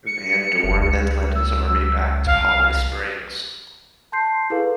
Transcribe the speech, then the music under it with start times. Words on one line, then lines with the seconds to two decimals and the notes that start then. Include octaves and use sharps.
Van Dorn then led his army back to Holly Springs.
0.07 C#7
0.64 F#1
0.80 C#2
1.35 E6
2.27 C2 F5
4.12 A5 C6 G6 C7
4.50 E4 G#4 A4 B4 F5